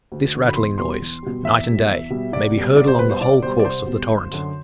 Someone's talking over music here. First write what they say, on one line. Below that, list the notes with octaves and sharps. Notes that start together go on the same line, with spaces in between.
This rattling noise, night and day, may be heard along the whole course of the torrent.
D2
D3 F#3
B5
E2 C6
B2 G3 C6
E2
B2 G3
E2 E5
B2 G3
E2
B2 G3
C2 D5
B2 G3
C2 D5
C5
B2 G3 B4
C5
C2 D5
B2 G3 C5
D5
C2 C5
B2 G3
G1
F#2 D3 F#3